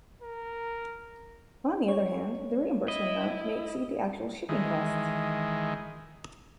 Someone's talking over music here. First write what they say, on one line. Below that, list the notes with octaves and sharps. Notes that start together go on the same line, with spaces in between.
On the other hand, the reimbursement amount may exceed the actual shipping costs.
A#4
C#5
E4 D#5
D#3 E3 G#3